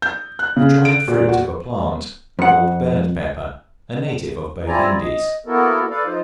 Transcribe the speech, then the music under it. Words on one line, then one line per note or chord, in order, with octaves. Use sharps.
The dried fruit of a plant called bird pepper, a native of both Indies.
G6
F#6
C#3
D7
A#2
F#4
F2 F#5
C4 E4 F4 D5 G#5 A#5
D#5
A#3 B3 E4 F#4 A4 A#4
A4 B4 D5 F5
F3 D#4 F4 C5